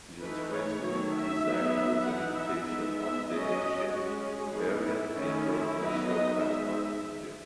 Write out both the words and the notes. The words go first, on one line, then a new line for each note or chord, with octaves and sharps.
Ultimately, this act was an imitation of the ancient Mauryan Emperor Ashoka of India.
E3 A3 D#4 B4
C#5
D#3 F#3 A3
E5
F#3 B3 D#4
E3 B3 D#4 F#5
E5
G#3 B3 D#4 E5
E5
F#3 C#4 D#5
G#3 C#4 F#4
G#4
E3 B3 D#4
E4
D#3 A3 C#4
E4
F#3 B3 D#4
D#5
G#3 D#4 E5